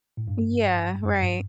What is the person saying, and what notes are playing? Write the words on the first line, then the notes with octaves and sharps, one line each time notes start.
Yeah. Right.
A2
G2
F#2
G2